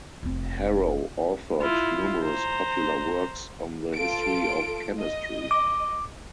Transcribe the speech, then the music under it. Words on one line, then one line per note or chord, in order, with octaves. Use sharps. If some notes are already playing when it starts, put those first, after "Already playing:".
Harrow authored numerous popular works on the history of chemistry.
F1 C4
E4 F4
C5 A#5
F4 A4 D7
D#5
D6